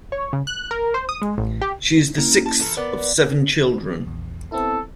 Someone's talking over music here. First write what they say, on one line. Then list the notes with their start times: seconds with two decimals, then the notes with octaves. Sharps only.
She is the sixth of seven children.
0.12 C#5
0.33 C#3
0.47 F#6
0.71 A#4
0.94 C5
1.09 D#6
1.22 G#3
1.38 A1
1.61 G4
2.18 A#3 C#4 E4 A#4
2.46 A5
2.59 E3 A4 A#4
2.77 B3 A#4 B4 D5
4.07 A#1 E2
4.52 B3 C4 E4 A4